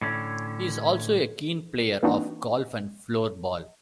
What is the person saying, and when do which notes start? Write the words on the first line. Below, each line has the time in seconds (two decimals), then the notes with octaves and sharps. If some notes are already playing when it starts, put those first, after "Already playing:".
He is also a keen player of golf and floorball.
0.01 A2 D3 C#4
2.03 E3 A#3 C4 D4 D#4 F#4